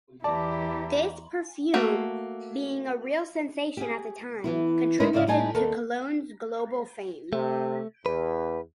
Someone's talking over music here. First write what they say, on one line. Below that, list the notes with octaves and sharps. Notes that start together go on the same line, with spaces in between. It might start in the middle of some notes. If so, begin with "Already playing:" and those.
This perfume, being a real sensation at the time, contributed to Cologne's global fame.
E2 E3 E4 G4 D5 A5 A#5
A3 A#3 F#4
G4 G#4
E3 B3 E4
D2 G#3 D#4 E4 A#4 B4
G#2 C#3 E4 D5 D#5 F5
A2 G3 D#4 G#5 A5
D#2 A4 A#4
C3 A3
E2 B4